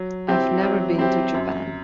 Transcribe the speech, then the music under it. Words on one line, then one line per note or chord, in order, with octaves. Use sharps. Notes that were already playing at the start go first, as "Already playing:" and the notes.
I've never been to Japan.
Already playing: F#3
C4 E4 G4
F#3
C4 E4 G4
F#2